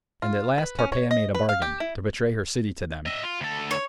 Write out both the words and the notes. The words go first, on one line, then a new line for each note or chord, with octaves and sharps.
And at last Tarpeia made a bargain, to betray her city to them.
F4
B4
C#4
C#5
D#5
B4
F5
G4
E4
D#5 E5
F4
D2 A4
C#5